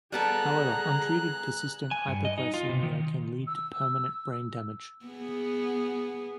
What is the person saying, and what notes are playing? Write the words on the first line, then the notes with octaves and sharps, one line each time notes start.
However, untreated persistent hypoglycemia can lead to permanent brain damage.
G3 B3 G#4 A4 A#5 F#6
G#5
G2
D#5
D#4
F4
C3
D#3
E6
B3 G#4